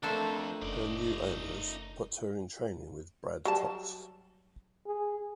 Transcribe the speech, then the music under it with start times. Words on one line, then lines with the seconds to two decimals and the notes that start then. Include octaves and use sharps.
Her new owners put her into training with Brad Cox.
0.03 F2 A3 A#3 D4 A4 C5
0.62 F#1 D#4 D5
3.45 F#3 G3 A5
4.86 G#4